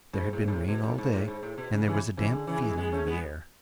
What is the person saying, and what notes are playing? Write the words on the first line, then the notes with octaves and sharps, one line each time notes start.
There had been rain all day, and there was a damp feeling in the air.
G#2
A2
G#2
A2
B2
A2
G#2
A2
G#2
A2
B2
C#3
C#3 E3
C#3 E3
D3
C#3 E3
E3 G#3
G#3 B3
A3 C#4
G#3 B3